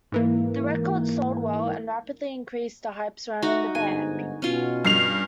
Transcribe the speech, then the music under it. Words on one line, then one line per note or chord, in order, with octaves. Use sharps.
The record sold well and rapidly increased the hype surrounding the band.
G#2 E3 A#3
D#4 F#4 E5
G1 G#2 G#5
B2 C#4 F4
G2 C7 F7